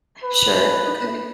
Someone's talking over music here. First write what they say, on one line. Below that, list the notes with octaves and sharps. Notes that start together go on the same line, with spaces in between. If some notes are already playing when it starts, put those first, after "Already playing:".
Sure, okay.
B4